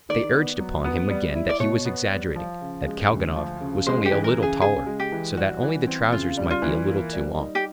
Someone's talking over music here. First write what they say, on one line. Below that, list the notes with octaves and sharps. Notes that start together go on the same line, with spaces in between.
They urged upon him again that he was exaggerating, that Kalganov was only a little taller, so that only the trousers might be a little too long.
D#3 D5
B3
F#3
B3
G3
E4
D5
B2 C#5
B3
G3
F3
C#3
G#3
D2
F3
C#3
G#3 C5
G4
E3
A#4
C#3
G#4
C#3 G#4
G#3
G4
E3
G3 F#4
E3
C4
C#3 F4
G3
F4
E3
A#3
G3
D#4
G4